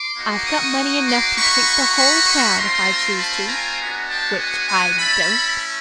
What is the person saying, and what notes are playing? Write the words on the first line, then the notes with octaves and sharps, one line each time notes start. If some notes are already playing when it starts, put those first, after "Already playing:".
"I've got money enough to treat the whole crowd, if I choose to, which I don't."
Already playing: C6 D6
A#3 D#4 F#4
C#6 D#6
C6 D6
A#3 D#4 F#4 B5 C#6
B5 C#6
B5 C#6
A3 C4 F4 A#5 C6
A5 B5
G#5 A#5
G#3 B3 D4 F#4
G5 A5
F#5 G#5
F#5 G#5
A3 C#4 E4 A5 B5